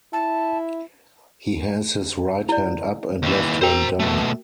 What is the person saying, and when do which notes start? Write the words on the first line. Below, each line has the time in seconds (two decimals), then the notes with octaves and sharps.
He has his right hand up and left hand down.
0.13 E4 A5
2.49 E4 D5
3.23 D#2 E3
3.61 F#4 A#4 C5 G5 A#5
4.00 B2 A3